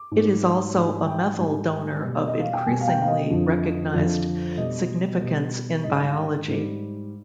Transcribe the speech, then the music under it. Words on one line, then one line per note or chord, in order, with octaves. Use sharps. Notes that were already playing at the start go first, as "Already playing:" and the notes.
It is also a methyl donor of increasingly recognised significance in biology.
Already playing: D6
G#2 G3
G#2 G3 B5
G5
G#2 G3 G#5
B2 G3
D5
D#5
F5
G5
B2 G3 G#5
F5
G5
F5
D#5
F2 D3 F3
F2 D3 F3
B2 G3 D#5
B2 G3
G#2 G3 D#5
F5
G#2 G3